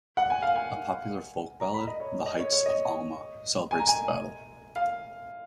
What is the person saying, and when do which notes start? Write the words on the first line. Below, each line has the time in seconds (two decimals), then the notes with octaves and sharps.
A popular folk ballad, The Heights of Alma, celebrates the battle.
0.17 F#5
0.30 G#5
0.42 F5
0.56 G#5
1.60 A#5
1.74 B5
1.87 D#5
2.00 C#5
2.26 D#5
2.39 C#5
2.53 C#5
2.66 D#5
3.71 G#5
3.79 A#5
3.87 G#5
4.76 F5